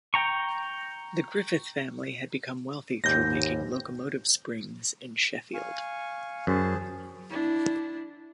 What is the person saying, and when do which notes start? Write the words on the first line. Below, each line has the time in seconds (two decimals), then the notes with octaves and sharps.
The Griffith family had become wealthy through making locomotive springs in Sheffield.
0.14 G5 A#5 C#6
3.04 D#2 G#2 G3 G6 A#6
5.54 F5 G#5 C#6
6.47 F#2 G#4 C5 A5
7.30 D4 E4